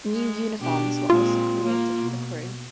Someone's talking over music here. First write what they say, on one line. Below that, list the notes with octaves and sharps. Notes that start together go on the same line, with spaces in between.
New uniforms were also created for the crew.
G#3
B2 D4 G4
A#2 G#3 C4 F4
A#3
B2